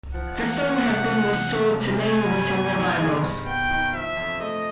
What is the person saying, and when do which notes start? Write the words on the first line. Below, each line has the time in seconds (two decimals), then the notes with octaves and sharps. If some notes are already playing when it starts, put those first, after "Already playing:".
The song has been restored to many recent revivals.
0.13 F3 F#5
0.38 E2
0.62 A#3
0.85 C3
1.08 F3
1.32 E2
1.56 A#3
1.80 C3
2.03 G#3 G#5
2.27 G2
2.51 B3
2.74 D#3
2.98 G#3
3.22 G2
3.45 B3 G5
3.69 D#3
3.93 F3 E5
4.16 F2
4.40 A3 D#5